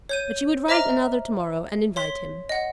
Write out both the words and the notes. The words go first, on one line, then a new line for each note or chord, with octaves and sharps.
But she would write another to-morrow and invite him.
C#5 G6 D#7
C5 D#5 E5 A#5 D6 F6
C#5 C6 B6
D#5 F#5